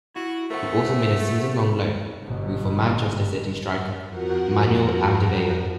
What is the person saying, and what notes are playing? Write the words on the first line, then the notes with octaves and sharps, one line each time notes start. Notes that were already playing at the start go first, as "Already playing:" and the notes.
He also made a season-long loan move for Manchester City striker, Emmanuel Adebayor.
E4 F#4
A3 A#4 C5 F#5
G1 B2
F2 F3 F#4 A#4 F#5